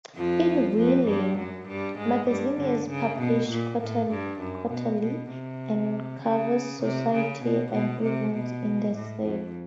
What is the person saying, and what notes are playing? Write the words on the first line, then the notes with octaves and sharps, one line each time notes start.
"In Wheeling" magazine is published quarterly and covers society and events in the city.
F2 F3
F2 F3
G2 G3
F#2 F#3
G2 G3
G#2 G#3
G2 G3
D3
C#3
B2
A#2
A2
G2
F#2
B2
B2
C3
C#3
C3
C#3
B2
B2
C3
B2
A2
F2